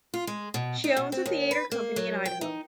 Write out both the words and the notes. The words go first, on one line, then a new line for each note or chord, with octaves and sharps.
She owns a theatre company in Idaho.
F4
G#3
B2
D#4
B2
C4
D#2
B4
A#3
F#3
G5
D#4